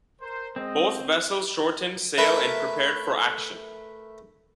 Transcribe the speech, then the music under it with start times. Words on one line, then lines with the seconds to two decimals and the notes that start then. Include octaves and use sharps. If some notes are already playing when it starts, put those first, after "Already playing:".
Both vessels shortened sail and prepared for action.
0.21 A#4 C5
0.56 G#3 C4 D#5
2.18 A3 A#4 B4 E5